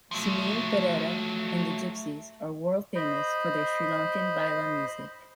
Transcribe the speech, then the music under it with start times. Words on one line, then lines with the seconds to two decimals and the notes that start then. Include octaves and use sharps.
Sunil Perera and the Gypsies are world-famous for their Sri Lankan baila music.
0.11 F3 F#3 A3
2.95 C5 D#5 B5